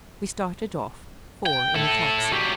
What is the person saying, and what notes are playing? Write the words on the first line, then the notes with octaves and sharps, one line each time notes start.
We started off--four in a taxi.
G5
E4 A4
F#3 G4